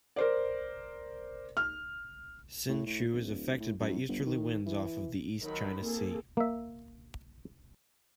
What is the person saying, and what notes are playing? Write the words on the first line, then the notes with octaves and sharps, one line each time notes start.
Hsinchu is affected by easterly winds off of the East China Sea.
A#4 C5 D5
F6
A2
A2
D1
A2
F#2
G1
D#3
E3
D#3 F#3 D#4 A#4 B5
A#3 C4 G#4 A4
A#3 E5